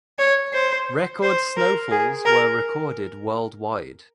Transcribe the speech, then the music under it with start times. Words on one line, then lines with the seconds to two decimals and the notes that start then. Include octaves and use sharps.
Record snowfalls were recorded worldwide.
0.19 C#5
0.53 C5
1.23 C5
1.57 A#4
1.91 G#4
2.25 A#4